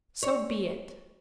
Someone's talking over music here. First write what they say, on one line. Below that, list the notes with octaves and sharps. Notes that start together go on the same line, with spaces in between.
So be it!
C#5